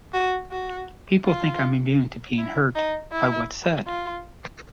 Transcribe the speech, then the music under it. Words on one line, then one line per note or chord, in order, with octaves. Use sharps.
People think I'm immune to being hurt by what's said.
F#4
F#4
F4
E4
D#4
E4
F4